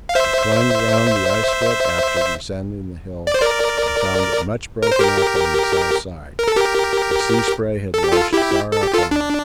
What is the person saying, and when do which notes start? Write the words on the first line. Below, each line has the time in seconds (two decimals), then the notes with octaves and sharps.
We climbed round the ice foot after descending the hill and found it much broken up on the south side; the sea spray had washed far up on it.
0.09 F5
0.15 C5 E5
3.27 D5
3.34 C5
3.41 A#4 D5
4.83 A#4
4.92 C5
4.99 G4 A#4
6.39 A#4
6.48 A4
6.56 G4 A#4
7.94 A4
8.04 G4
8.12 F4 A4
8.33 E4 G4
8.72 A4
8.83 G4
8.94 F4 A4
9.11 D4